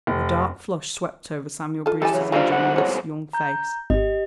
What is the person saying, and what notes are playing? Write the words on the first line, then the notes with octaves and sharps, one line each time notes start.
A dark flush swept over Samuel Brewster's ingenuous young face.
F1
F4 A4
E2 G3 A4 G#5
C#3 F#3
B1 F#3 G3 A#3 C4 D4 F4
F#5
F3 C#5
A#5 G6
G#1 G4 D#5